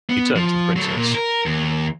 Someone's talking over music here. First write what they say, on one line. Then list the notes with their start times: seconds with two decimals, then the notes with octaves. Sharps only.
He turned to the Princess.
0.09 B3
0.36 F3
0.76 F#3 A3
0.97 A#2
1.15 A#4
1.46 D#2